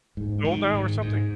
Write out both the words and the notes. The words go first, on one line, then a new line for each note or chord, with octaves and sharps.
old now or something.
G#2
D#3
G#2
G#2